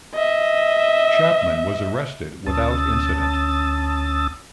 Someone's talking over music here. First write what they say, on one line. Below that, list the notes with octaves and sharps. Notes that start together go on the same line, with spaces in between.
Chapman was arrested without incident.
D#5 E5
D2 C#4 A5 D#6 E6 A6